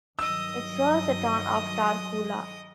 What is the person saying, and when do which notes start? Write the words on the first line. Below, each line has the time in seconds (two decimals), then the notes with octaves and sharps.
It serves the town of Tarcoola.
0.19 G2 D#3 F#3 D#5 D#6 E6